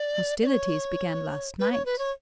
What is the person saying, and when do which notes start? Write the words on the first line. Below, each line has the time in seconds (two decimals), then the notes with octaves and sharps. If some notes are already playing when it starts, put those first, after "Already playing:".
"Hostilities began last night."
Already playing: D5
0.42 D5
0.47 C#5
1.60 B4
1.72 C#5
1.86 B4
1.99 C#5